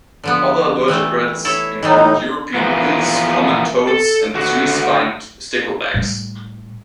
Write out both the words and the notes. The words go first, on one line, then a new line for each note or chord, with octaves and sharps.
Other vertebrates include European eels, common toads and three-spined sticklebacks.
D3 F3 B3
E3 G3 A3
E4 A4 C#5
A2 E3 F#3 G3 D#4
E3 F3 A#3 B3
A4
D3 F#4
A2 G3